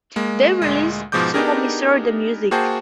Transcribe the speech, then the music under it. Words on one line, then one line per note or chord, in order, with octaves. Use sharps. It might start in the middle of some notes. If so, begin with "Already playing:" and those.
They release suomisaundi music.
G#3 A#3
D2 A#2 G#3
G#2 B2 F3 G#3 D6 G6
B3 D4 D#4 G4 G#4 A#4
A#3 F#4 G#4 C5 G5 A5